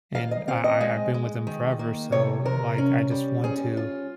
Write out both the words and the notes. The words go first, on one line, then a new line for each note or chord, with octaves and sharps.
and I I I've been with them forever. So, like, I just want to
D#3 F5
D#5
C4 F5
D#5
G#3
G#3
D#3
A#3
C3 C#5
C3 A#4
C#4
G3
C#4 G#4
F4